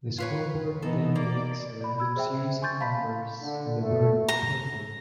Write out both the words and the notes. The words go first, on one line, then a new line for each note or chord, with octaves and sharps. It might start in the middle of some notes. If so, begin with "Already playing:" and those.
The scoreboard then blinks a random series of numbers and the word Tilted.
F4 B4 C#5
E3 B3 D#4 A4
A#3 D5
D5 B5
B5 E6 G#6
G#4 C5 E5 G5
G#5 C6 C#6 G6 A6
F5 A5 B5 B6
F5
D3
A3
A#5